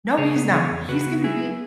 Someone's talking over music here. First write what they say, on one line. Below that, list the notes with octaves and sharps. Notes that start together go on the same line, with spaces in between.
"No, he's not. He's gonna be"
C#3 G#4 C#5
B3
E3 G#4 C#5
E2
C#3 F#4 B4
B3
F#3 E4 G#4